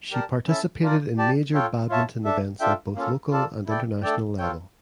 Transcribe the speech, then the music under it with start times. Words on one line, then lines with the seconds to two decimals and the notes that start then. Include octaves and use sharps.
She participated in major badminton events at both local and international level.
0.11 G4 A#4 D5 A5
0.46 C#4 E4 A4 E5 A5
0.82 D4 F4 A#4 D5
1.18 G4 D5 A5
1.54 F4 A4 C#5 G5
1.89 F4 C#5 E5 A5
2.25 D4 A4 E5
2.60 D4 F4 A4 E5 G5
2.96 A#3 C#4 F4 A4
3.31 F4 A4 D5 A5
3.67 E4 A4 D5 G5
4.03 A3 D4 A4 D5 G5
4.38 F4 A4 C#5 G5